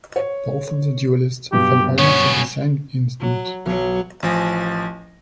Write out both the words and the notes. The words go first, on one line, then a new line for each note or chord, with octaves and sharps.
Both of the duelists fell almost at the same instant.
C#5
G2 B2 F#3 G4
B3 C#4 C#5
F#3
B1 F#3 C#5
A1 F3 G#5 A#6